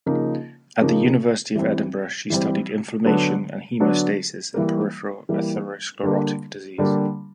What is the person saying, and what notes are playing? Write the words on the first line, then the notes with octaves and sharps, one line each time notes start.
At the University of Edinburgh she studied inflammation and haemostasis in peripheral atherosclerotic disease.
C#3 F3 A#3 D#4
C#3 F3 A#3 D#4
E3 G3 C4
E3 G3 C4
D3 F#3 B3 D4
D3 F#3 B3 D4
E3 G3 A#3
E3 G3 A#3
D3 G3 A#3
D3 G3 A#3